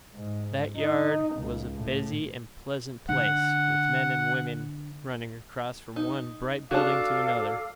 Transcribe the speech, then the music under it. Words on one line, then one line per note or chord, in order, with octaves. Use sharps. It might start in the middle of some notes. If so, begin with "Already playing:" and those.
That yard was a busy and pleasant place, with men and women running across from one bright building to another.
G#2
D#4
C#2
A2
D3 F#5
D#4
D4 F#4 A4 F5 D6